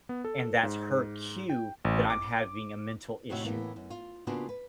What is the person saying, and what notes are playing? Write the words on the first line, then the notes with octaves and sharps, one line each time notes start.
And that's her cue that I'm having a mental issue,
B3
A4
G#2
G5
A1
D6
D#2 A2 C3 F#4 C#5 E5
A2 E3 A#3 B3
F#2
F4
C#3 A#3 B3 D4 F4 F#4
B4